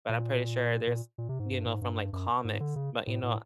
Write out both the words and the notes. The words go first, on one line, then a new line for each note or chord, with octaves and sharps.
but I'm pretty sure there's you know, from like comics, but you know,
A#2
A#2
A#2
C3
G#2
G2
G#2
G2
F#2
G#2
D3
C#3
A2
A2